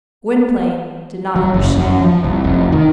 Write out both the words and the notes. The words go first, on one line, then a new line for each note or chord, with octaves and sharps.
Gwynplaine did not understand.
F#3
F#1
F#2
F3
C2
F1
D#3